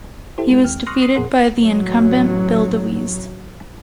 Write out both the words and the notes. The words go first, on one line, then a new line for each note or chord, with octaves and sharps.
He was defeated by the incumbent, Bill DeWeese.
E4 G4 A4 C5
G#3 C4
D#2 G5 F6
C6 C#6 D#6 F6 F#6 A#6
D#6 C7
F2 A#2 G#4 A#4 F#5 C6
A1 F#3